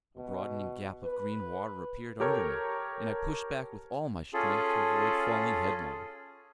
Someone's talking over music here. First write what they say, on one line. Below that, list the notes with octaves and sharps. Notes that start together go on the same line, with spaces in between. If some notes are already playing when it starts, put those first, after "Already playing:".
A broadening gap of green water appeared under me, and I pushed back with all my strength to avoid falling headlong.
B2
B4
G4 A4 A#4 C#5
C#4 F4 G#4 A4